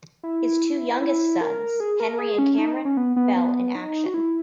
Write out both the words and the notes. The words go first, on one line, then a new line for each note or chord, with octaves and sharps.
His two youngest sons-Henry and Cameron-fell in action.
E4
E4
A#4
G#4
A#4
G#4
C#4
D#4
C#4
B3
B3
B3
D#4
F#4
E4